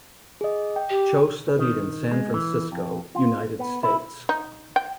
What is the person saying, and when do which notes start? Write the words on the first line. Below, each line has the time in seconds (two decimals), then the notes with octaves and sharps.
Cho studied in San Francisco, United States.
0.41 G#4 D#5
0.76 G5
0.90 G4
1.59 D#3
2.11 G#3
2.34 E3
2.72 F2
3.15 F4
3.59 B3
3.83 E4
4.29 D#4
4.76 G5